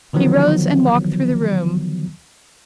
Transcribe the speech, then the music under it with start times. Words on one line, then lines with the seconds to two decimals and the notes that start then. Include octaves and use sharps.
He rose and walked through the room.
0.13 D3 D#3 F3 F#3 B3